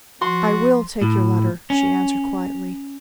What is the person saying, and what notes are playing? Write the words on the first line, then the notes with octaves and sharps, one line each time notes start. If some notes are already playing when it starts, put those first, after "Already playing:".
"I will take your letter," she answered, quietly.
F3 F#4 C6
A2
C#4